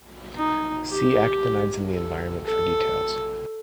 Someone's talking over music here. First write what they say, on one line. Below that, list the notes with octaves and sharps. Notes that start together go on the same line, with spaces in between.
See Actinides in the environment for details.
D#4
G4
A4
A4